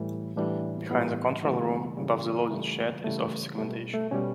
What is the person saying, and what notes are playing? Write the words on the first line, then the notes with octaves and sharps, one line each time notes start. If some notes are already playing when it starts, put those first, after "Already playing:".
Behind the control room, above the loading shed, is office accommodation.
Already playing: A2 E3 G3
A2 E3 G3 D4
A2 E3 G3 B3
C#3 E3 G3 A3
C#3 E3 G3
C#3 E3 G3 A3
C#3 E3 G3 A3
B2 G3 A3
A3
B2 G3 C#4